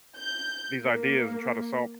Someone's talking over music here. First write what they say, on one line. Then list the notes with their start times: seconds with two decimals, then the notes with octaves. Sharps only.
these ideas and try to solve
0.18 G6
0.83 A#3